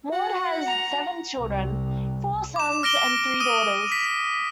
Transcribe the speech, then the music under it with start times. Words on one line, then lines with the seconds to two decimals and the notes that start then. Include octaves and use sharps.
Maude had seven children, four sons and three daughters.
0.12 F#4 F#5
0.67 A#5
1.40 C2
2.56 D6 E7
2.83 F6 A#6 D7 G7
3.40 D#6 D#7
3.92 B6